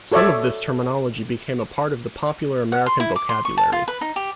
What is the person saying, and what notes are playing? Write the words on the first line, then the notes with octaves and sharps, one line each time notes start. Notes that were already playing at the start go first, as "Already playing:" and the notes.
Some of this terminology became a part of the popular American vocabulary.
F#4 A4 C#5 D5 E5
F#5
C6
E4
D6
C6
C#6
A5
F4
B4
D#4
G4